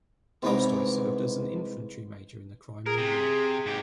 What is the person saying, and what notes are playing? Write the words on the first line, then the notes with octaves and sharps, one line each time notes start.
Tolstoy served as an infantry major in the Crimean War.
C2 G#2 B3 C#5 A#5 D6
G#4 A#4
C3
G#2 G4